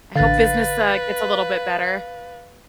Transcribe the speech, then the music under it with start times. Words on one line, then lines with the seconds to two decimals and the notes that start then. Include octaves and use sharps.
I hope business, uh, gets a little bit better.
0.16 A1 D3 B4 F5 A6